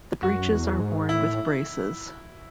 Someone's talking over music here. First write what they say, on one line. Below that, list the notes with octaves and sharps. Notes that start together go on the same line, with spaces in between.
The breeches are worn with braces.
F#2 F#4
E2
G#2
A2 E4